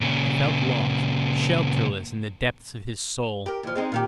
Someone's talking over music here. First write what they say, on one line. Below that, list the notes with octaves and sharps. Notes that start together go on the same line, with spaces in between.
He felt lost, shelterless in the depths of his soul.
A#2 C#3
G4 A#4
D#2 F3
G#3 C4 D#4
A#2 D#3 G4